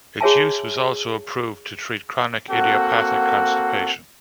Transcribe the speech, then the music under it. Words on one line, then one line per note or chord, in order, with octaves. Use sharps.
Its use was also approved to treat chronic idiopathic constipation.
F#4 G#4 C#5 E5 G#5 A5
A#3 C4 F#4 A4 F#5